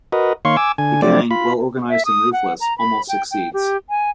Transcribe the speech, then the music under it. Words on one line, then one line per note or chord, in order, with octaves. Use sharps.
The gang, well-organized and ruthless, almost succeeds.
F#4 A#4 B4 D#5
D#3 A#3 C#5 F5 C6 C#6
G#5 D6 E6
D3 G#5
F3 F#3 A3 C4 D4 D5
F4 B5
E5
D#6
F#5
A#5
B5
G5
G5
G4
G#5